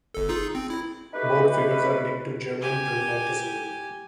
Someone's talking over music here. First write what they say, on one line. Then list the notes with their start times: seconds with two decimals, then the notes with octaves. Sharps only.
Both figures are linked to German Romanticism.
0.14 G1 A4
0.29 D#4 F4 G#4
0.55 C4
0.70 E4
1.14 A3 D#4 F#4 G4 B4
2.61 G4 G#5